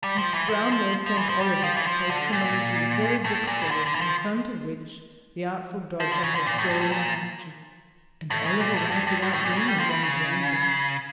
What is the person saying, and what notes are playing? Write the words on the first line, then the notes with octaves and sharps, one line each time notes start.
Mr. Brownlow sent Oliver to take some money to the very book-stall in front of which the Artful Dodger had stolen the handkerchief, and Oliver went without dreaming of any danger.
G3
F3
E3
F3
F3
F3
E3
F3
G3
F3
E3
F3
D3
A#2
A2
A#2
E3
D3
D3
E3
F3
F3
D3
C#3
D3
A#2
A2
G2
A2
A#2
A2
C#3
A#2
A2
G2
G2
G2
A2
A#2
C#3
G3
F3
E3
C#3